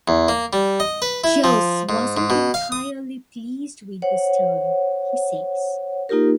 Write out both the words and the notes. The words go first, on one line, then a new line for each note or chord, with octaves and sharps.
"Joss wasn't entirely pleased with this story," he says.
E2
A#3
G3
D#5
B4
E4
F3
G#2
G#2
B2
F5
D#6
C5 C#5 F#5
A#3 D#4 F4 G4 A#4